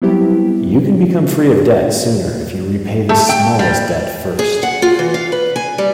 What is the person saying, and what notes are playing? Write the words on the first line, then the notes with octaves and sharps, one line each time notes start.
You can become free of debt sooner if you repay the smallest debt first.
F#3 G3 B3 C4 E4 G4
A3
G5
G3
G#4
F#5
F4
E3
F5
B4
G#5
G3